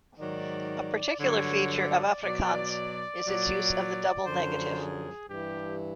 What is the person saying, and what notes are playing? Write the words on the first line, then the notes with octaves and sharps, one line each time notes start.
A particular feature of Afrikaans is its use of the double negative.
G#2 D#3 F#3 D5
G2 D3 F#3 C#5
D5
B2 F#3 D5
A#2 F#3
F#2 D3 F3 C5
G#4
G2 E3 G4